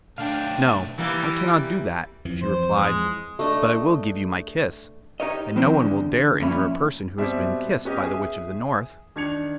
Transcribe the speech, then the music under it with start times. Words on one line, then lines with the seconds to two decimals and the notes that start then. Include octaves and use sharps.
"No, I cannot do that," she replied, "but I will give you my kiss, and no one will dare injure a person who has been kissed by the Witch of the North."
0.18 B1 A3 D4 F5 G5
0.98 E3 G3 A#3
2.25 F2 E3
2.42 C5
2.76 G#3
3.39 A3 D4 D#5
5.20 D#4 G4 A#4 C#5 D#5
5.56 F2 D#3 C4 E4 A#4 C5
5.79 E2 D3
6.41 F2 A#2 A#3 C#4 E5 B5
7.18 B2 G3 C4 E5
7.85 B3 C#4 G4 D#5
8.00 G#4 E5 G#5
9.16 D#3 D4 G#6 C#7 F7